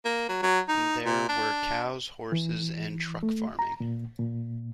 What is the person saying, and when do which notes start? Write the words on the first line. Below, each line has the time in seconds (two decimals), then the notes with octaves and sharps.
There were cows, horses and truck farming.
0.05 A#3
0.29 F#3
0.43 F#3
0.68 D#4
1.05 A#2
1.29 D4
2.32 E3
3.23 A3
3.59 A#5
3.80 A#2
4.19 A#2